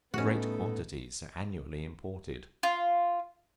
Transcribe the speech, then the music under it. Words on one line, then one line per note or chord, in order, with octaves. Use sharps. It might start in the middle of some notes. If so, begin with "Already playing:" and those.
Great quantities are annually imported.
A2 G3 A3 B3 C#4 D#4 F#4 A4
F4